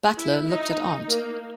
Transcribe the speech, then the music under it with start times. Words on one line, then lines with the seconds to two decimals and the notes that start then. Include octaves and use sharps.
Butler looked at aunt.
0.16 E4
0.47 D#4
1.07 A#3